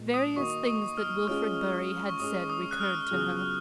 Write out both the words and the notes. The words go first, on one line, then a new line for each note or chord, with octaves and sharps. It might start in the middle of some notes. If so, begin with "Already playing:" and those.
Various things that Wilfrid Bury had said recurred to her.
Already playing: A#2 G#3 B3
D#6
D#3 A#3 D#4 F#4 C#6
D#6
F6
G#3 C#4 F4 G#4 F6
C#6
G#3 C#4 G#4 D#6
D#6
F#6
F6
C#3 F#3 B3 F4 G#4